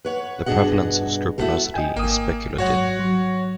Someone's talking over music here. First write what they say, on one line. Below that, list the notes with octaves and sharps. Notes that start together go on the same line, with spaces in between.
The prevalence of scrupulosity is speculative.
B4 C#5 F#5
G2 B2 D4 G#4 D#5 F#5
G3 A3 B3 E4 F#4 E5
D#5 G5 G#5
G#1 A#3 D#6
G#2 F#3 F#4 C#5 F#5
F#3